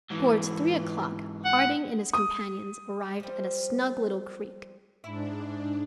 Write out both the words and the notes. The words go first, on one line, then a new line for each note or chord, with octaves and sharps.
Towards three o'clock Harding and his companions arrived at a snug little creek.
G#2 E3
F#5
D#6
F3 G3
G#2 D4 E4